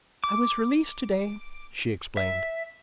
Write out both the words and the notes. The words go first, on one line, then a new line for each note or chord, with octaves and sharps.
"I was released to-day," she explained.
D6
E5